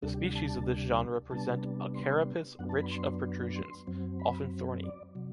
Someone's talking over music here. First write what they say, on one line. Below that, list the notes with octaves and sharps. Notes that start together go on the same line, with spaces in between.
The species of this genre present a carapace rich of protrusions, often thorny.
D2 C3 G3 D4 A4
G4
F#5
A5
C3 G3 B3 D4 A5
C6
F#2 F#3 B3 D4 F#5
A5
B5
C6
C6
F#2 F#3 C4
B5
D5
C3 F#3